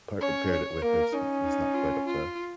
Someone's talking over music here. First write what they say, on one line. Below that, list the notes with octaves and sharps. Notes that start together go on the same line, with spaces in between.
pa uh, paired it with is is not quite up to
C#4 C#5
C#5
A#3 A#4
C#4 D#4
D#4
F4
F4